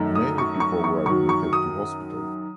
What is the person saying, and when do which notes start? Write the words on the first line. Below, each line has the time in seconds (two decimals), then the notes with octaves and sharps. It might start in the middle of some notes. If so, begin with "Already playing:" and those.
Many people were admitted to hospital.
Already playing: F#2 D#3 A3 D#4
0.15 D#6
0.38 C#6
0.60 C#6
0.84 C#6
1.06 F#2 D#3 F#3 C#6
1.29 C#6
1.53 D#6